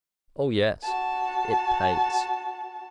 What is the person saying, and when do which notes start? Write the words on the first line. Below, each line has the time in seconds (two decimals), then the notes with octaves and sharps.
"Oh yes, it pays."
0.83 F#4 A5